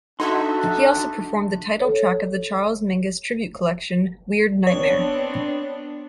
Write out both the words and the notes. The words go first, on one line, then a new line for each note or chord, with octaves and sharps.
He also performed the title track of the Charles Mingus tribute collection, "Weird Nightmare".
D4 D#4 F#4 A4 E5 C6
A4 C#5
B3 C4 D4 C#5